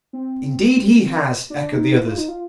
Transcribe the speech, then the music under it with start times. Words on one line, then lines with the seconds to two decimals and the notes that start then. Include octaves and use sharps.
'Indeed he has!' echoed the others.
0.13 C4
1.50 D4
1.72 D#4
1.95 E4
2.06 F4
2.17 D#4
2.28 F4